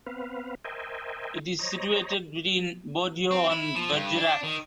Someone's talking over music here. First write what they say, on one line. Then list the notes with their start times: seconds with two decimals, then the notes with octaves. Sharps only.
It is situated between Bordeaux and Bergerac.
0.06 B3 C4 B4 F5
0.64 A#4 C5 D#5 E5 G5 G#5
1.59 C5 C#5 D#5 A#5
3.31 C4
3.50 E4
3.75 F3
3.92 G2
4.17 D4
4.43 D#3